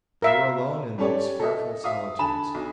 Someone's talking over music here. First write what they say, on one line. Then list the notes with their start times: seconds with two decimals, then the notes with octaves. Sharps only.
They were alone in those fearful solitudes.
0.22 A#4 E5 F5
0.98 G3 C#4 G4 A4 C#5 D5
1.40 A4 D#5 E5
1.84 E5 F5 D#6
2.19 D3 G#5 A5 B5 E7
2.54 B1